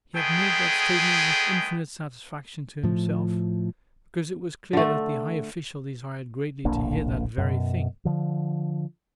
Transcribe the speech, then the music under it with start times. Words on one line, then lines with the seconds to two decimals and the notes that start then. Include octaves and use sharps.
He had made that statement with infinite satisfaction to himself, because it was clear that the high official desired greatly to hear that very thing.
0.15 G#3 A3 B3 G#4 G5
2.83 A2 F3
4.73 D3 A3
6.65 D1 A#1 A#3 D4
7.38 F#2 B2
8.05 D3 F3